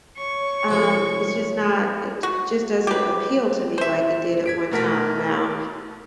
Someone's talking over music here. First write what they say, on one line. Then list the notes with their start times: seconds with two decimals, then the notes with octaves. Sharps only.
Um, it's just not it j just doesn't appeal to me like it did at one time. Now,
0.17 C#5 C#6
0.68 C3 F3 A3
2.23 F#4
2.87 G4 B4
3.78 C5 E5
4.46 G#6 B6 D7
4.71 B2 A3 A#4 F#5 A5 B6